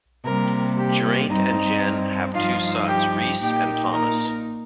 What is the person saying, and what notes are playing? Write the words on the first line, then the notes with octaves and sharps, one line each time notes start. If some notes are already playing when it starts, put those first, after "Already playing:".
Geraint and Jen have two sons, Rhys and Thomas.
C3 G3 A#3 A#4
G4
G2 G3 C4 D#4 D#5
G2 F3 D#4 F4 F5
G4 G5
A#2 A#3 D#4 G4 G5
A#4 A#5